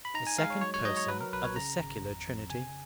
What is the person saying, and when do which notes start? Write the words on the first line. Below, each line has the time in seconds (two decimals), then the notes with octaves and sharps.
The Second Person of the secular Trinity.
0.05 B5
0.14 D#4 A#5
0.27 G#5
0.38 G#3 F5
0.50 C#5
0.61 F#3 C#5
0.74 C#5
0.85 F#3 D#5
0.97 C#5
1.08 F#3 B4
1.21 A#4
1.33 B1 B4
1.44 C#5
1.56 C#3 A#5
1.80 G#1
2.04 F2
2.27 F2
2.50 C#3 G#5